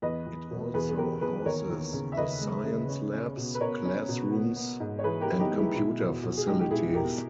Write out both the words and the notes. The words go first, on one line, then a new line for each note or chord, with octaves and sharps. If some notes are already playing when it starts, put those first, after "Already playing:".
It also houses the science labs, classrooms and computer facilities.
E2 B4 D#5
E2
B2
E2 G#4 B4
G#4
E2 G4 A#4
E2 G#4 B4
D#2 A#4 C#5
D#2
C#3
E5
D#2 B4 D#5
G#3
C#3
C#4
C#4
B2
B4
B2 A#4 C#5
C#4
B2
B3
B3
G#2
C#5
E3 G#4 B4
G4 A#4
E3
D#4 G4
G#3
E4 G#4
B2 E4
B2
B2
G#4
G#3 D#4 G4
G4
B2 E4 G#4
B2 G4 A#4